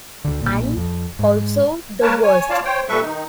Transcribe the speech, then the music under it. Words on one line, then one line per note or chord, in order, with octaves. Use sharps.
And also the worst.
D2 D3
B1 A#2
F2
G#2
A#3 A#4 B4 C#5 A5
C#5 G#5
F4 C#5 D5 F5 A5
C5 C#5 G5
A#2 G3 A4 B4 E5 C#6
D#3 D#4